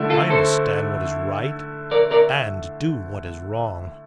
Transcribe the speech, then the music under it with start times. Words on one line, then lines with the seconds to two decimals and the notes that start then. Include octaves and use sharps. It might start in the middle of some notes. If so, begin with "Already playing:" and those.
I understand what is right and do what is wrong.
Already playing: D3 A3 E4
0.10 F4 A4
0.30 A4 C5
1.91 A#4 D5
2.11 A#4 D5